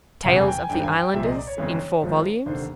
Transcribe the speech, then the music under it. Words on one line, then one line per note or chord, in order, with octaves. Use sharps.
Tales of the Islanders, in four volumes.
F1 E2 C#3 F#5
G#5
G5
G#5
G#1 G2 D3 G5
G#5
G5
C2 A#2 F3 G#3 E5
D#5
D5
C#5
G1 F2 C#3 E3 G#3
G#1 G#2 F3 G#3
F1 D#2 D3 C5